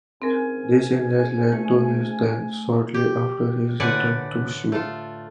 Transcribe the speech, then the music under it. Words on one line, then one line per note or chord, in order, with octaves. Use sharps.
This illness led to his death, shortly after his return to Suez.
G#2 C4 C#4 A#4 G#5
A3
G4
A2 D3 B4 D5 F#5 G#5
A3 F4